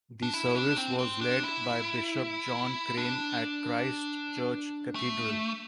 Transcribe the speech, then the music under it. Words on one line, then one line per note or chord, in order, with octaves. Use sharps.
The service was led by Bishop John Craine at Christ Church Cathedral.
D4
E4
D4
C4
C4
D4
E4
D4
A3